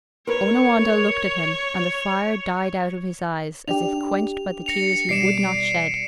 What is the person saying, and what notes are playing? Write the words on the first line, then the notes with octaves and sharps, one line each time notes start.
Onawandah looked at him, and the fire died out of his eyes as if quenched by the tears he would not shed.
A#4 B4 C#5
D4 G4 F7
A#6 C#7 F7
B2 G3 D5 C7 D7 E7